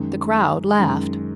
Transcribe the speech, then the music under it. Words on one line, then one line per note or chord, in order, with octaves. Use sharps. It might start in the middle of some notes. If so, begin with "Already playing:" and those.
The crowd laughed.
Already playing: F#2 D#3 G#3
F#2 D#3 G#3